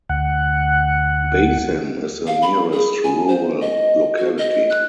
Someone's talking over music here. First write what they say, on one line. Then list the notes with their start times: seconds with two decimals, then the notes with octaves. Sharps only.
Basim is the nearest rural locality.
0.09 D2 F#5
2.27 F5
2.42 B5
2.72 G#4
3.04 G#5
3.28 C5
3.61 D#5
4.18 F#4
4.38 D#5
4.70 F#6